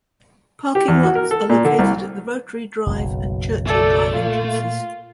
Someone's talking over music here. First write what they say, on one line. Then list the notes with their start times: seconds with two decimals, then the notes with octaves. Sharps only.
Parking lots are located at the Rotary Drive and Churchill Drive entrances.
0.75 G4
0.88 E2
1.03 F#4
1.15 A#4
1.31 A4
1.49 A#2
1.65 D3
1.79 C2
2.86 F#1 B1
3.67 A3 A4 D5
4.14 A#2 F4